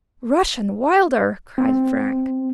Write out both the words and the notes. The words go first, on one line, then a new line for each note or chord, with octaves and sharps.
"Rush & Wilder!" cried Frank.
C4